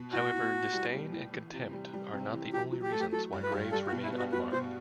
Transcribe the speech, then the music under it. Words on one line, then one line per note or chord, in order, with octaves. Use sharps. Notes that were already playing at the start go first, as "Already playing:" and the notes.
However, disdain and contempt are not the only reasons why graves remain unmarked.
Already playing: B2
A2 F#4
A2
A2
G3
G3
A2
E3
C3
G3
G3
C3
E3
F#3 G4
F#3
G4
A3 A4
G4
F#3 A4
G2
B4
G2
G3 A4
F#4
B2
E4
B3
F#4
F#4 B4
B2 C5